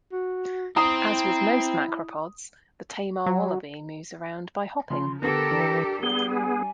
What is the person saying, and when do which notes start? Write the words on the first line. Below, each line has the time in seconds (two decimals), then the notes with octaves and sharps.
As with most macropods, the tammar wallaby moves around by hopping.
0.12 F#4
0.76 C4 E4 C5 A#5 D#6
3.26 F#3
4.90 C#3 F3 C#4 C6
5.22 D3 B3 G4 A4 A#4 A#6
5.51 E3 D4
6.03 G3 B3 G#4 G7
6.36 G#5